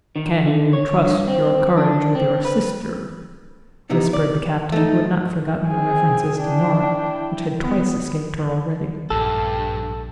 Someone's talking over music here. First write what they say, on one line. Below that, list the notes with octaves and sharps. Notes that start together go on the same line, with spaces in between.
"Can you trust your courage with your sister?" whispered the captain, who had not forgotten the references to Norah which had twice escaped her already.
D#3
D3
C#5
G2
C4
D4
C4
B4
C3 B3 D#4 E4
D5
A3 D#4
C4 G#4 G#5
D4 E4 G5
B3
A#1 G2 A4